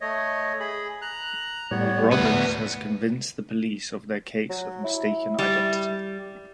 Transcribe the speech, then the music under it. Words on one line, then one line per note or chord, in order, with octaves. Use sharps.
Roberts has convinced the police of their case of mistaken identity.
A3 C#5 D#5
G#4 B5
A#5 F#6
A2 G3 B3 C#5
D2 B3 F#6
F#3
E4
G3